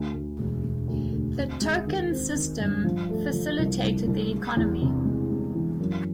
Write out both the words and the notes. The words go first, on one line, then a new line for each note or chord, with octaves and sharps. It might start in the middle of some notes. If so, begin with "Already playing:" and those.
The token system facilitated the economy.
Already playing: D2
D2
E1
E1
D2
D2
C4
G#3
D#3
C4
D#3
G2
F3
A3
F3
C2
C2
C2
G#3
E2
C3
G#3
G#3
E3
F#2